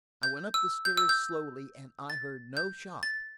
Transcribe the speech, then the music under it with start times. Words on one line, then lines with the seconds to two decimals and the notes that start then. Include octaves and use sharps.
I went up the stairs, slowly, and I heard no shot.
0.23 G6
0.54 E6
0.85 G6
0.97 E6
1.09 G6
2.10 A6
2.57 G6
3.03 A6